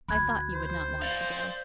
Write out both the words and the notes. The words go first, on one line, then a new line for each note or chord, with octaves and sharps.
I thought you would not want to go.
D2 B5 F#6 G#6
C5
D5 F5